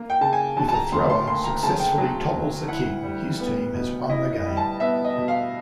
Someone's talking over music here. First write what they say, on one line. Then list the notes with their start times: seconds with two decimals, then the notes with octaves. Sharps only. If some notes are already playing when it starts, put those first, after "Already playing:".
If a thrower successfully topples the king, his team has won the game.
Already playing: A#3
0.10 G5
0.21 C#3 A5
0.33 G#5
0.57 F#3 A5
0.68 A5
0.73 A#5
0.92 D2 C6
1.09 C6
1.27 A#3 C6
1.44 A#5
1.63 C#3 A5
1.79 G5
1.98 F#3
2.34 D2
2.68 E4 F#5
3.03 G3
3.40 B3
3.74 B2
4.09 E4 D#5
4.33 D#5
4.46 G3
4.57 A5
4.80 B3 E5
5.04 D#5
5.17 B2
5.28 F5